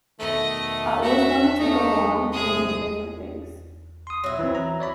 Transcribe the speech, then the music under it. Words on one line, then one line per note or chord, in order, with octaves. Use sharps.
I always wanted to go on and do different things.
B2 D#3 A3 D#5
F#4 E5
C#3 A3 D4 D#4
A2 C3 G#3 G#4 D#6
C6 D#6
F#3 E4
E3 C4
A#5
C#5 D5 B5